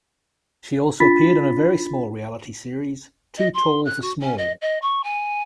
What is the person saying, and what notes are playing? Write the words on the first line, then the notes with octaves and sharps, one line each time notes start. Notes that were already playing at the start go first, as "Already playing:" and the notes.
She also appeared on a very small reality series, "Too Tall For Small".
D4 F4 B5 A6 B6
D#5
C6
F#6
F#4
C#4
D#5
D#5
C#6
G#5